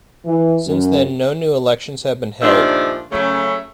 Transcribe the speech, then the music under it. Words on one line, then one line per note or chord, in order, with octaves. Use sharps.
Since then, no new elections have been held.
E3
F#2
G2 A#2 D#3 F3 A3 D4
C#3 F#3 A3